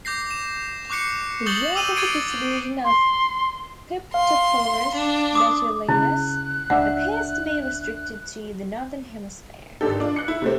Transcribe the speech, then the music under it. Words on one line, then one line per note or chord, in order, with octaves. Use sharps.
The geographic distribution of "Piptoporus betulinus" appears to be restricted to the Northern Hemisphere.
D6 G6 A#6 C7
E7
C#6 D6 F#6 C7 C#7
C#6 D#6 G6 A6 F#7 G7
D6 E6 D#7 F7
C#6 G#6 A6 C7 D7 D#7
C6
F5 C6
D4
D6 D#6
C#3 E4 F#6
C#2 D4 E5 F#5
G#1 D3 G4 A4
D4 F4
F#6 C#7
E4
C3 A3 C4